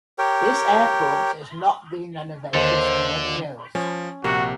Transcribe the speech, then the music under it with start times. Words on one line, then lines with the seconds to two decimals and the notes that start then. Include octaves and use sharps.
This airport has not been renovated for many years.
0.18 G4 A#4 C#5 G5
2.54 D#2 D3 A4 C5
3.75 F3 C#4
4.24 A#1 C3 A#3 F#4 F#5